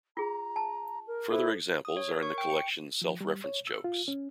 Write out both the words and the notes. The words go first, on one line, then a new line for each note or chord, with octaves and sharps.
Further examples are in the collection Self-reference jokes.
F4 G#4 A#5
A5
A#4
E4 A4 C5
D#6
C#5
A#4
C#6
G5
C#7
F3
G3
C#5
E6
F4
C#4